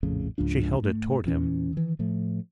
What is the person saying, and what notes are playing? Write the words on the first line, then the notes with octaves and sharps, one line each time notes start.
She held it toward him.
A#1 F2 A2 C#3
C#2 G#2 F3 D4
G#2 A3
E2 A#2 E3 C#4
D#3 E3
A2 F3 A3